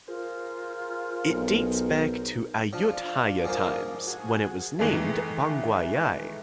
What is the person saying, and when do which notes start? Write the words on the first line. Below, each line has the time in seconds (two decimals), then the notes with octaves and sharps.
It dates back to Ayutthaya times, when it was named Bangwayai.
0.08 F4 G#4 A#4 C5
1.29 B1
2.73 F3 D4 F4
3.45 G#2 F3 A#3
4.07 F#4 G#4
4.79 D#3 E3 G#3 A3